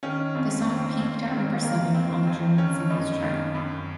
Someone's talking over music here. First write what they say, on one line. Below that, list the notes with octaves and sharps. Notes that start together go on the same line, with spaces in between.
The song peaked at number seven on the German Singles Chart.
D#3 C#4
F2 C4
D#3 C4
F2 C4
D#3 C4
F2 A#3
D#3 C4
F2
D#3 C#4
F#2 D#4
D#3
F#2